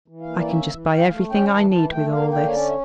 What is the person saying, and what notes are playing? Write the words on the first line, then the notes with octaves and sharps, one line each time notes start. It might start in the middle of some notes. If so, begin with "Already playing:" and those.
"I can just buy everything I need with all this."
E3
F5
A#3
D5
C#4 E5
E3
E3 F5
G5
F5
A3
C#4 G5
E3 A5
E3 A5
A3 G5
A#3 F5
D3 G5
C#5
C#4 D5
E5